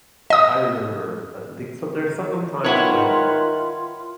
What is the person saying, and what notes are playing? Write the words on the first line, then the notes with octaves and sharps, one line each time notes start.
Uh, I remember, I th think so there's some times when,
D#5 D#6
D#3 E4 F4 B4 C#5 F#5